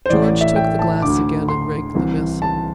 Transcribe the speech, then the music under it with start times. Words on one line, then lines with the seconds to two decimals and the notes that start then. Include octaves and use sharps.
George took the glass again and raked the vessel.
0.06 C5
0.10 A1 A2 E3 D5
0.41 E5
0.56 G5
0.79 A5
1.02 D2 D3 D6
1.49 C6
1.95 C2 C3 E3
2.42 A5